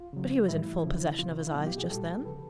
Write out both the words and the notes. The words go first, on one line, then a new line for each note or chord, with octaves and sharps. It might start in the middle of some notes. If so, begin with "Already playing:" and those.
"But he was in full possession of his eyes just then?"
Already playing: F4
C#3 F#3
A2 E3 G3 E4
C#3 F3
C3 F3 F4
E4
B2 F#3 F4
F4 G4
F#4 G#4
A#2 G3 G4 A4
C#3 F3 A4 B4